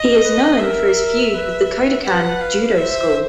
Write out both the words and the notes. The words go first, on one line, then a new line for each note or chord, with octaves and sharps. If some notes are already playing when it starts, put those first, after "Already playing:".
He is known for his feud with the Kodokan judo school.
Already playing: D#5
B4
A#4 E5
B4
B4 F#5
F5
C5 E5